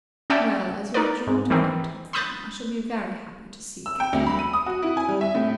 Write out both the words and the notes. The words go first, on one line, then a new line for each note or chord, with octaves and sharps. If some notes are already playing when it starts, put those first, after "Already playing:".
"Well, as your joint acquaintance, then, I shall be very happy to see Captain Benwick."
C#4 D5 E5 F#5 G5 A5
D#4 A#4 B4 D5
G#2
D#3 E3 C4
B5 C6 D#6 F#6 G6 A6
E6
G5
D2
B5
D#7
D#6
F#4
E4
G#5
G3
E5
A2